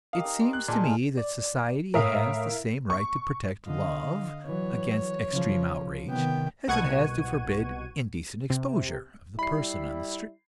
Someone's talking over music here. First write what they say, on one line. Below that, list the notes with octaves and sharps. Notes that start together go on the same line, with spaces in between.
It seems to me that society has the same right to protect love against extreme outrage, as it has to forbid indecent exposure of the person on the street.
G4 A#4 D#5 F5
D#4 A#5
D5 C6 D6
F#6
A#2 G#3 D4
F5
D5
A2 A#4 C#5 E5 F5 D#6
C#6
D3 D#5 F5
E3 F#3 C#5
C#3 F3
C3 D#3 B3 G5
C2 B2 F#5 C#6 G#6 D#7
C3
G3 E4 B5 C7